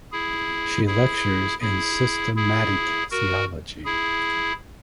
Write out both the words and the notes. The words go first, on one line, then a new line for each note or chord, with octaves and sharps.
She lectures in systematic theology.
E4 G#4
E4 G#4
E4 G#4
E4 G#4
F#4 A#4
E4 G#4